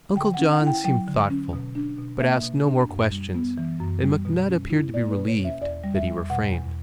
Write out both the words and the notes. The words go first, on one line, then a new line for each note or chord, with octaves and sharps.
Uncle John seemed thoughtful, but asked no more questions, and McNutt appeared to be relieved that he refrained.
D3 G5
F#5
C#4
F#5
E4
G5
F#3 G5
D3
C#4
B2
D4
B2
A#3 E5
B2
D4
F#2
G3
B3
E3
F#2
G3
B2
C#4
E4
A#3 D5
B4
B2
C#5
C#4
E5
E2 D5
G3
E5
E2
B2 F#5
E2